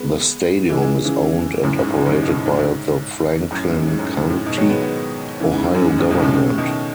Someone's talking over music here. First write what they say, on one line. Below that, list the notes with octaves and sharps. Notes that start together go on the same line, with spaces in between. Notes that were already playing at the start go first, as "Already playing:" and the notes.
The stadium is owned and operated by the Franklin County, Ohio government.
Already playing: G#3 B3
E3 G#3
E3 G#3
C#3 E3
F#2 A2
G#2
G#2
F#2
G#2
G#2 B2
F#2 A2
G#2
F#2 A2
G#2
F#2
G#2
F#2 A2
G#2
F#2 A2
G#2 B2
D#3 F#3
G#3 B3
G#3 B3
C#3 E3
G#2
F#2
F#2
G#2
F#2 A2
G#2 B2
A2 C#3
A2 C#3
B2 D#3